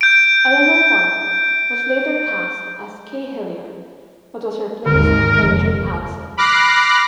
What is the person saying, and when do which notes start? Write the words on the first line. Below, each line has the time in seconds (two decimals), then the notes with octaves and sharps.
Eleanor Parker was later cast as Kay Hilliard but was replaced by June Allyson.
0.01 G6 D7
4.86 G#1 D#2 D3 G#3 A#4
5.39 F1
6.37 B5 D6 F6 F#6 A#6 C7